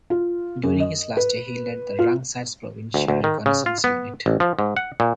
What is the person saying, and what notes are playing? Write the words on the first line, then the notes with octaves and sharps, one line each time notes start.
During his last year he led the Rung Sat's Provincial Reconnaissance Unit.
F4
F#2
D#5
B4
F4
D2
D2
D#3
C#3
F4
B3
A1
F3
G#2
F#5
A#2